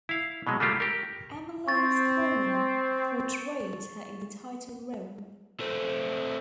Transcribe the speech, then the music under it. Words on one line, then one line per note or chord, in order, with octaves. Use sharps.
Emily Schulman portrayed her in the title role.
E4 F5
B2 F#3 G#3
G3 A3 A#3 F4 G4
G4 A#4
C4 C#6 A6
A3 C4